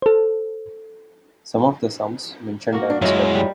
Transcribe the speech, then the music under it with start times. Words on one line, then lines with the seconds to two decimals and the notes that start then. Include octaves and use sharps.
Some of the sums mentioned are disturbing.
0.02 A4 C5
2.73 A#3 F#4 A#4
2.90 D4
3.02 F#2 F#3 G#3 E4 F4 D#5
3.35 G3